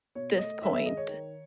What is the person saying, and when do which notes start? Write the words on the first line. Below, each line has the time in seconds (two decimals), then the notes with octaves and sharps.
this point
0.15 B2 C#5
0.38 A3 D#5
0.62 D#3 E5
0.73 E5
0.86 G#3 D#5
0.97 C#5
1.09 D#3